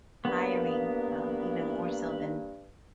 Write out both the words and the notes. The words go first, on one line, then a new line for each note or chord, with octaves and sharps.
hiring, um, even more so than
G2 A#3 B3